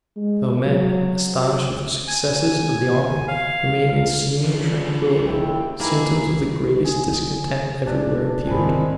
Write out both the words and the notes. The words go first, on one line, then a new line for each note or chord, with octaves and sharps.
Though men, astonished with the successes of the army, remained in seeming tranquillity, symptoms of the greatest discontent every where appeared.
G#3
F#3
G#5
F5
C#3 F3 D4
D#2 E4 G5
E3 A#3 D#4 E4 G#4
G#4 D#5
A#1 D4
G#1 D#3 A3 C4 G#5 B5